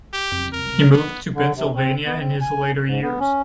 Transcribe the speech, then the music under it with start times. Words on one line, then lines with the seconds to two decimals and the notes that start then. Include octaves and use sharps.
He moved to Pennsylvania in his later years.
0.13 G4
0.53 A#4
0.92 B3
1.34 D3
1.56 C3
1.76 C4
2.06 B3
2.20 C4
2.41 G#5
2.86 G#2
3.03 B3
3.20 C#4